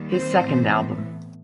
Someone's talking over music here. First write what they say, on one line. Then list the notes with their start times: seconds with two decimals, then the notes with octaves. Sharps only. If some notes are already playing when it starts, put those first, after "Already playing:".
His second album.
Already playing: D#2 D#3 G3
0.10 C4 C5
0.41 A2 E3 B3